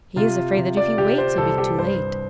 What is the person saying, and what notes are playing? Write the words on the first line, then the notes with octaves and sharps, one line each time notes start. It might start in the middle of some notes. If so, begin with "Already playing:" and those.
"He is afraid that if he waits he'll be too late!"
C3 F4
C3
D5
C3 G4
C5
C2 A4
G4
G2 C5